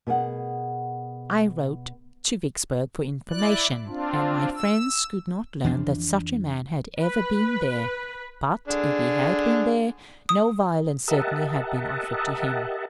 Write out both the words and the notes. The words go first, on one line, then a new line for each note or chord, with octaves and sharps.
I wrote to Vicksburg for information, and my friends could not learn that such a man had ever been there; but, if he had been there, no violence certainly had been offered to him.
B2 G#4 A#4 D5 F#5
E4 D5 F#6
C4 D4 F4
E6
F2 E3 F3 D4
B4
D3 D4 G#4
D#6
G4 A#4 D#5 E5 F#5 A5